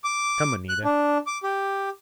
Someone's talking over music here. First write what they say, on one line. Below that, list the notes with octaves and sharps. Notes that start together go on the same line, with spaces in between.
"Come, Anita."
D6
F#6
D4
D6
G4